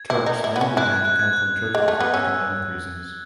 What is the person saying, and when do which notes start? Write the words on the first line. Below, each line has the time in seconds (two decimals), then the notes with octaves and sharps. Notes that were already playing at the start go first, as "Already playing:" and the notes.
Turks then began to come from Turkey for economic reasons.
Already playing: G#6
0.10 E4
0.26 D#4
0.44 E4
0.56 B3
0.61 C#4
0.77 E4 F#6
0.92 G#6
1.05 F#6
1.19 G#6
1.33 F#6
1.75 G#3
1.88 A3
2.00 B3
2.14 C#4 E6